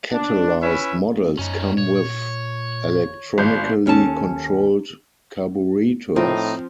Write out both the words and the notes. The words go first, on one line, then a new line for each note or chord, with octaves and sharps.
Catalyzed models come with electronically controlled carburetors.
D4
C#4 E4 B4 E5
F#2 C#4 D#4
A#2 C#5
G#1 G6
D#2 C#4 A4 A5
A2 F3 C4 D#4 F4